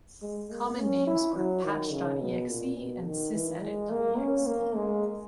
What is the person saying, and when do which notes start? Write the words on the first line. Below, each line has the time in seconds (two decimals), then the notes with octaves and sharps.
Common names were "Patch dot exe" and "SysEdit dot exe".
0.22 G#3
0.50 A#3
0.79 C#4
1.07 E4
1.36 F#3
1.64 D#3
1.92 C#3
2.21 B2
2.48 A#2
2.77 B2
3.05 D#3
3.33 E3
3.62 G#3
3.91 A#3
4.19 C#4
4.46 A#3
4.76 G#3